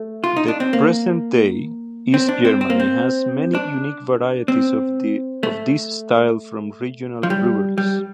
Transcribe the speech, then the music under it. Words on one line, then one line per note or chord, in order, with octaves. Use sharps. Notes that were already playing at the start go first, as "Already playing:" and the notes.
The present-day East Germany has many unique varieties of this style from regional breweries.
Already playing: A3
F4
D#4
D4
C4
A#3
C4
D4
C4
C4
A#3
C4
D4
C4
A3
F3
G3
G3